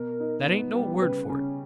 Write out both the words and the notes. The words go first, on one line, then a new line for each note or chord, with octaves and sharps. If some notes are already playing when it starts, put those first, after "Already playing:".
'That ain't no word for it.
Already playing: B2 A#4
D#4
B3
G3
C#3 B4
C#3 C#4